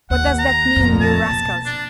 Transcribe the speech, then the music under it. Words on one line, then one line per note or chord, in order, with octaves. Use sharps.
What does that mean, you rascals?
D#2 F#5
A#5
F2 A#2
A5
B2
D4